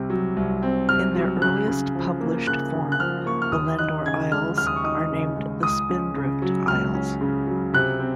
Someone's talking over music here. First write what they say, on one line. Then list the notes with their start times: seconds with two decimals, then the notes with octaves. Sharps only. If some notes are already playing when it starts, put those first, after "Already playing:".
In their earliest published form the Lendore Isles are named the Spindrift Isles.
Already playing: C2 C3 C4
0.10 F#3
0.37 C2
0.63 C4
0.89 C3 F6
1.15 F#3
1.42 C#3 F#6
1.68 C#3
1.95 F3
2.21 A#3
2.47 C#3 F#6
2.74 C#3
2.92 F#6
3.00 F3 F6
3.26 A#3 C#6
3.42 F6
3.52 D#2 D#6
3.79 D#4 F#6
4.05 C#3 G#6
4.31 G#3 F6
4.58 D#2 F6
4.67 D#6
4.76 C#6
4.84 D#4 D#6
5.11 C#3
5.37 G#3
5.63 C#2 D#6
5.89 C#4
6.16 C#3
6.42 F#3
6.68 C#2 F6
6.94 C#4
7.21 C#3
7.47 F#3
7.73 C3 F#6
8.00 C4